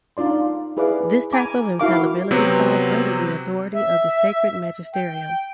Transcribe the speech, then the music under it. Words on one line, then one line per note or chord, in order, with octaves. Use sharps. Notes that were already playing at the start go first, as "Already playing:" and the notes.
This type of infallibility falls under the authority of the sacred magisterium.
D4 D#4 F4 D5 C6
E4 G#4 B4 D5 F5 D6
G#5 A#5 B5 D6
E4 F#4 A#4 F5 C#6 D6
C3 F#3 B3 C4
E5
G5